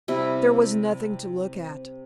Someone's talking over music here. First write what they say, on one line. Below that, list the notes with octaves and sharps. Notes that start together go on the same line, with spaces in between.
There was nothing to look at.
C3 G3 E4